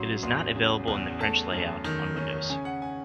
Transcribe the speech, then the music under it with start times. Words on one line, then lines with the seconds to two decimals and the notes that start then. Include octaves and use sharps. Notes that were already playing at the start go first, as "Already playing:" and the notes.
It is not available in the French layout on Windows.
Already playing: A1 F#3 C6
0.23 E2 C6
0.55 C#3
0.88 E2
1.20 A3 A5
1.52 F#2
1.84 D#3
2.17 C#4
2.50 C#3 G#5
2.65 F#5
2.82 G#5